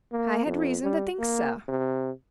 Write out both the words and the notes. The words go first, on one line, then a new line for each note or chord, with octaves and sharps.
"I had reason to think so."
A#3
F2
G3
A#3
C3